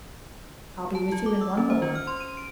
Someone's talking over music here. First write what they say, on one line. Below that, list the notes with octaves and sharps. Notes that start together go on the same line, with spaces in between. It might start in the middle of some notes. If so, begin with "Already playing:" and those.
I'll be with you in one moment.
A5
F4
D6
E6
C#4
C5
F4
F6
C6
D#7
D7